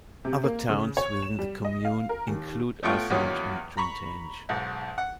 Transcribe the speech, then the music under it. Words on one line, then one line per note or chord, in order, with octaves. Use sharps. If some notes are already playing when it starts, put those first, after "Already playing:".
Other towns within the commune include Ersange and Trintange.
C3
A#3
C#3
C#5
E7
G3
D#5
F5
A#4
D#2
A2 A3 B3 F4 G5 C#6
E2 A#2 D#3 F#3 C#4
A#5 B5 C#6
B1 G#2
F#5